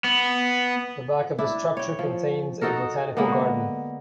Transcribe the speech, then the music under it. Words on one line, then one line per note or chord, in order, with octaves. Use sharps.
The back of the structure contains a botanical garden.
B3
D4 E4
C#5 G5
F3
D#4 F#4 A4 A#4
D3 G#3 A#3 B3